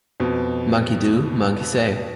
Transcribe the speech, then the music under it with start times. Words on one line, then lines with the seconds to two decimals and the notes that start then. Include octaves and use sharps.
Monkey do, monkey say.
0.20 F2 B2